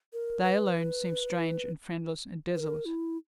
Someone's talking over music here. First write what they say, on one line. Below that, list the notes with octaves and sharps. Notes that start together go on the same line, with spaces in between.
They alone seemed strange and friendless, and desolate.
A#4
B4
B4
A#4
E4